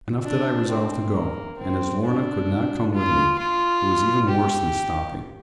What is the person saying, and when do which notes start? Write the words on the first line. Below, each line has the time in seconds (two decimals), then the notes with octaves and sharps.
Enough that I resolved to go; and as Lorna could not come with me, it was even worse than stopping.
0.24 D4
0.69 C4
1.13 A#3
1.59 C4
2.04 D4
2.94 F4
3.38 F4
4.29 G4